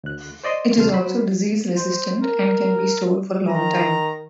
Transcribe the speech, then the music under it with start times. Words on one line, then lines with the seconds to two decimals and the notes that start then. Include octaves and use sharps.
It is also disease resistant and can be stored for a long time.
0.04 D2 F#6
0.44 C5 D5 D#5 C6
0.77 D#2 C3 A3 A5 C6 F6
0.94 F#3 C5 B5
1.77 C5
2.21 A#4
3.48 D#3 A#5